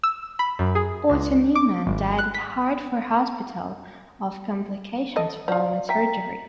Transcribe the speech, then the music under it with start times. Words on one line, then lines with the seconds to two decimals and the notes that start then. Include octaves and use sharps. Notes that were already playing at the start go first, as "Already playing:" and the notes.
Otto Neumann died at Hartford Hospital of complications following surgery.
0.03 E6
0.39 B5
0.59 F#2
0.75 G#4
1.10 C#2
1.55 D6
1.87 G#1
2.19 F#6
2.34 B6
5.16 A4 D#5
5.48 F3 F4 D5 F5
5.89 E5 G5 A#5 B6